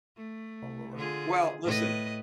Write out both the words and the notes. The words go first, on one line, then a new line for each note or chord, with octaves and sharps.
lord well, listen.
A3
D3 F4 G#4
A2 B4 D#5